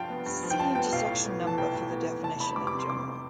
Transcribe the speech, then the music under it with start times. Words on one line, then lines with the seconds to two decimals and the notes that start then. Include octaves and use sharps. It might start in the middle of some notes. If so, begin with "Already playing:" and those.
See intersection number for the definition in general.
Already playing: G2 F3 F4 F5 G5 A5
0.10 B3
0.26 G2
0.43 F3
0.50 G5
0.59 F4 A5
0.75 B3 G5
0.92 B1 F5
1.08 A2
1.25 B3
1.42 E3
1.47 A5
1.58 B1 G5
1.74 A2
1.90 B3
2.07 E3
2.24 F1 A5
2.40 E2 B5
2.56 G3 D6
2.67 D6
2.73 C3
2.79 C6
2.89 F1 D6